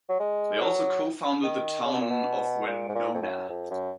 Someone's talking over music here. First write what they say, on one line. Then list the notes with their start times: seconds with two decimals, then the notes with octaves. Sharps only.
They also co-founded the town of Wenona.
0.09 F#3
0.20 G#3
0.61 F#3
1.44 D#3
1.85 C#3
1.93 B2
2.01 A#2
2.10 B2
2.67 A#2
2.89 G#2
2.95 A#2
3.14 F2
3.22 F#2
3.49 F2
3.71 F#2